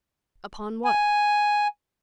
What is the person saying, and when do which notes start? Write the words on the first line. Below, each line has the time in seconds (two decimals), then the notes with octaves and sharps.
"Upon what?"
0.85 G#5